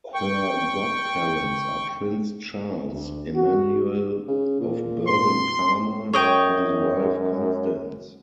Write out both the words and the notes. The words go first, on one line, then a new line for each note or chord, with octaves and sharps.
Her godparents are Prince Charles-Emmanuel of Bourbon-Parma and his wife Constance.
G5 C#6
D2
F#4
C#3
A#2
C6
F#2 C#5 D#5 G5